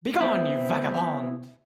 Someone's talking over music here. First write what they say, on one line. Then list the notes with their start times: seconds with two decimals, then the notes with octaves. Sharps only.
Begone, you vagabond!
0.21 B3 C4 E4